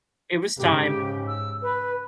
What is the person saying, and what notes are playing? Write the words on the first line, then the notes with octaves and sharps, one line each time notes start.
it was time.
G#2 C#3 G4
E6
B4